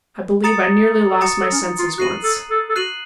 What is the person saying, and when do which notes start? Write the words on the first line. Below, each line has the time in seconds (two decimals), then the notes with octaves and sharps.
I believe I nearly lost my senses once.
0.44 A#5 D#6 A6 C#7
1.09 A4
1.21 F#4 A#5 D#6 A6 C#7
1.40 A4
1.52 C#4
1.60 D#4
1.79 F4
1.98 F#4 F#6 C7 D#7 F#7
2.23 A4
2.50 A4
2.69 A4
2.76 F#4 F#6 C7 D#7 F#7